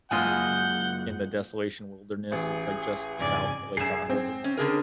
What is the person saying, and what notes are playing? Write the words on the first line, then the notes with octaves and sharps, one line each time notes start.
in the desolation wilderness. It's, like, just South Lake Tahoe, pretty much.
F#2 G#3 A#3 F4 D#5 F#5 G#5 G6
A1 G#4
F2 G#2 C#3 D5 G#5
F#2 G#4 C7 E7
C4
C#4
D3 G#4 A#4